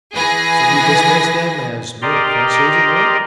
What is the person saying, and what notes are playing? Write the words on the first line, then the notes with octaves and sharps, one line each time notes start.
"So you dismissed them as mere press agent work?"
E3 G#4 B4 G#5 A#6
G4 A#4 D5 D#5 A#5 C6